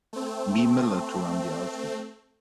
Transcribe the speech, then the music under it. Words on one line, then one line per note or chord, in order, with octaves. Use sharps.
B. Miller to run the outfit.
A3 C4